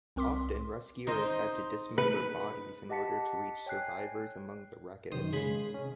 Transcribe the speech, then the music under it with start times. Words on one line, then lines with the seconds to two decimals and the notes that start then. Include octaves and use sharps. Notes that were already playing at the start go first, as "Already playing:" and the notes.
Often, rescuers had to dismember bodies in order to reach survivors among the wreckage.
0.16 C2 C4 A#4 C6 D6 B6
1.07 D#4 C5 D#5
1.98 B4
2.89 G4 D#5 F#5 A5 B6 C#7
3.66 C#5 G5 G#5 F#6 C7
5.12 F#2 B2 D#3 C5 D#6
5.33 C#3 G#3 G#4 B5
5.74 C3 C#4